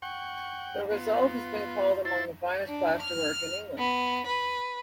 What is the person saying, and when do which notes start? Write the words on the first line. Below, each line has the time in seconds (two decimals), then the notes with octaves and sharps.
The result has been called among the finest plaster-work in England.
0.02 F#5 G5 C#6
0.91 B3 F4
2.05 E4 C5 A6
2.68 D4
3.02 F6
3.78 B3
4.26 B4